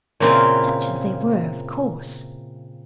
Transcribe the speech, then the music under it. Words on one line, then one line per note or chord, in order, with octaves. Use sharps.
"Such as they were, of course."
A#2 C#3 A#3 C4 E4 F4